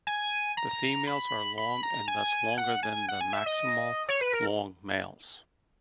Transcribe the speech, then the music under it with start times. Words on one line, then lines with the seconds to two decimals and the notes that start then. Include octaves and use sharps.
The females are long and thus longer than the maximal long males.
0.07 G#5
0.57 A#5
1.07 B5
1.58 B5
1.83 A#5
2.08 G#5
2.58 F#5
2.83 G#5
3.09 F#5
3.21 G#5
3.33 E5
3.46 D#5
4.09 C#5
4.21 B4
4.33 A#4